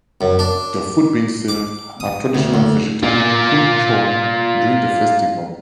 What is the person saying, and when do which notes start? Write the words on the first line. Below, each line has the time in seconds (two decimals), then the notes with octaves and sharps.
The food being served are traditional vegetarian poon choi during the festival.
0.21 F#2
0.39 D4
1.48 D6
2.00 D#6
2.35 D2
2.54 D2
3.03 F4 D5